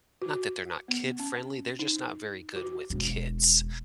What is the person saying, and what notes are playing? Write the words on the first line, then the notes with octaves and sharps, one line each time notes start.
not that they're not kid-friendly, they're just not very good with kids.
F#4
B3
C#4
D#4
F#4
E1